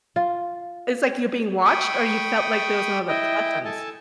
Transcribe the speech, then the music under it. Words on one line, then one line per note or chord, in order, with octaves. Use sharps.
It's like you're being watched, or you felt like there was another presence?
F4
G5 B5 C#6 D#6
E4 D#5 G5
A4 G#5 A5